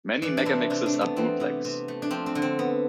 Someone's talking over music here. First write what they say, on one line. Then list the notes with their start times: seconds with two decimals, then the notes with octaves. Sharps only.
Many megamixes are bootlegs.
0.22 E3 D5
0.37 D4
0.46 C3 E4
0.70 C3 D4
0.86 D4
0.93 A3
1.01 B3
1.17 E3 C4
1.40 C3 B3
1.65 C3
1.88 A3
2.02 D4
2.11 F3 C4
2.26 C4
2.35 D3
2.42 C4
2.59 B3